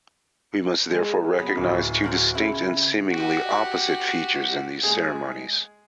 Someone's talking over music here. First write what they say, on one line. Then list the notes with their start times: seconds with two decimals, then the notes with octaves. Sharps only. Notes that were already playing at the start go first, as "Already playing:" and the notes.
We must therefore recognize two distinct and seemingly opposite features in these ceremonies.
0.92 G#3 G#5
1.39 F#3 B3
1.57 D1
2.04 F#4 A#4 C5
2.35 C#3 E4 C#5
3.11 F#4 G4
4.83 G#3 G#4